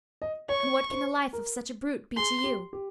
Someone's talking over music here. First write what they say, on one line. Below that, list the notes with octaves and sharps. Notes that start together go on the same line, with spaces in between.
And what can the life of such a brute be to you?'
D#5
C#5 C#6
C5
A#4
G#4 C6
G4
G4